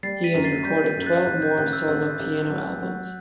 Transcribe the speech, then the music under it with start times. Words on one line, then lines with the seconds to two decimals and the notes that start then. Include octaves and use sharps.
He has recorded twelve more solo piano albums.
0.03 G3 A6 C7
0.24 B6 D#7
0.34 F#2
0.44 A6 C7
0.65 G3 G6 B6
0.96 F#2
1.06 F#6 A6
1.26 A1 F#6
1.42 G6
1.58 A1 F#6
1.73 E6
1.88 A1 E6
2.19 A1
2.50 F#3
2.81 F#3